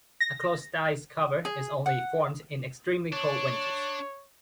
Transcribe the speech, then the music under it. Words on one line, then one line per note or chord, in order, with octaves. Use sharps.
A closed ice cover is only formed in extremely cold winters.
A#6
G#4
F#5
D4 C#5